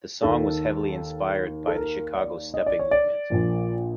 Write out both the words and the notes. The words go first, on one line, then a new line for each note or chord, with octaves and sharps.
The song was heavily inspired by the Chicago stepping movement.
D#2 D#3 A4
A4
A#4
D5
D#5
D5
C#5
D5
A#1 A#2 F3